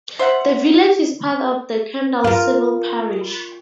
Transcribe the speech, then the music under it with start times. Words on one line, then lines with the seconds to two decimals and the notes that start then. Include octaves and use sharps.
The village is part of the Kendal civil parish.
0.19 C5 E5 F#5
2.24 F4 A#4